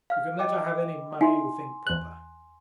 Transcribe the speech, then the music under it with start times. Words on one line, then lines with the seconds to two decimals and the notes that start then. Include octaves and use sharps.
You can let her have any money you think proper.
0.10 F5 F6
0.39 D#5 G5 D6
1.21 D#4 E4 G#5 C6
1.87 E2 F#6